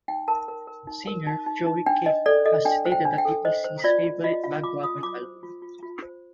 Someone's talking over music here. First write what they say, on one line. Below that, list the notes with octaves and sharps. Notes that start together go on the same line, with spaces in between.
Singer, Joey Cape has stated that it is his favorite Lagwagon album.
D#4 G5
A#4 A5
A#4
A#4
D#4
A#4
D#4
D#4
D#4
D4 G5
D4 D#5
A4 D5
A4 D#5
D4 G5
C5
G5
D4
G5
A4
C5 D#5
C5
F4 D5
F4
F4 D#5
F4 F5
F4 D6
F4 D#6
F4 D6
C5
F4
F4
F4
C5